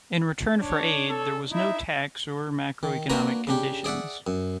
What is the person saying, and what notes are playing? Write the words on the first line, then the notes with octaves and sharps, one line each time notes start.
In return for aid, there was no tax or macroeconomic conditions.
D4 C#5
A4
D#4 E4 E5
D#3
A#3 D4 F#4 B4 G#5 A#5
C#3 D4 G4
G#4 D5 E5 F#5
F#2